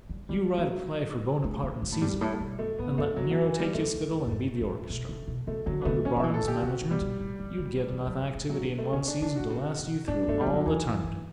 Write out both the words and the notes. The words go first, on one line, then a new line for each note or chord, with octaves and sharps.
"You write a play for Bonaparte and Caesar, and let Nero take his fiddle and be the orchestra. Under Barnum's management you'd get enough activity in one season to last you through all eternity."
G3
G3 A3
F#3 A3
A3
G3
D3
A2
G2 G3
G2
A2
B2
F#2 A3
A2 B3
G2 A3
F#2 F#3
F#3
E3
G3
F#2 A3
E2
F#2
F#2
G2
A2
B2
C#3
B2
C#3 A3
D3 F#3
B3
D3 A3
E3 C#4
F#3
E3 E4
A4
D3 G4
C#3 F#4
B2
G3
B2
A2
G2
C#3
D3
E3
F#3
B2
A2
F#3
C#3
A3
C#3 C#4
D4
D3 D4
D3 F#4
C#3
B2
A2 D4
G2 A3
G3
F#2
F#3
E2 E3
F#2
G2